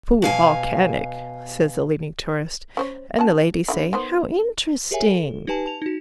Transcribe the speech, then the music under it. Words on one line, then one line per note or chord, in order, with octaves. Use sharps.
"Pooh, volcanic!" says the leading tourist, and the ladies say how interesting.
B2 F5 G#5
C#4 C5 C#5
C#4 F#4 A5
D3 E3 E4
D#3 B3 C5
G4 G#4 A#4 C#5 E5 G#5
A4
D#4 G4 B4 G#5 A5
A5 F7
D#4 F#4